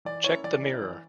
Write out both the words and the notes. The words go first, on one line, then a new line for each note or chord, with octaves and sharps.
Check the mirror.
E3 D5
A#3 C#4 E4 C#5
E3 D5
A#3 C#4 E4
E3